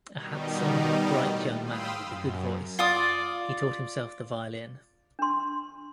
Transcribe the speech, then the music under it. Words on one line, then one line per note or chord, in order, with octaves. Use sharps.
A handsome, bright young man with a good voice, he taught himself the violin.
B2 D#3 G3 D#4
A2
F5 G5 B5 C6 D#6 E6
F#2
F4 D5 D#6
D4 C6